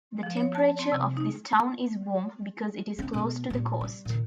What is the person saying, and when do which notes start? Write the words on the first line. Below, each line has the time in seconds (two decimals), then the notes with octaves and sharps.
The temperature of this town is warm because it is close to the coast.
0.23 F3
0.37 C#5
0.55 A5
0.79 C4
0.92 C3
1.17 D#4
2.99 C4
3.13 B2 B3
3.50 A#2 G3
3.81 G3
4.05 A#2 D#3